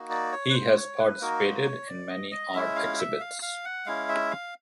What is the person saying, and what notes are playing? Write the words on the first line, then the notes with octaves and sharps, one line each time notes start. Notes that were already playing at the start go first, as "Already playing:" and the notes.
He has participated in many art exhibits.
Already playing: A#3 D#4 F#4
D5
C#5
B4
C5
C#5
B4
A#3 D#4 F#4 A#4
C5
C#5
D5
D#5
D#5
G#3 C#4 E4 E5
F5
E5
F5
F5
F#5
G#3 C#4 E4 F5
E5
F5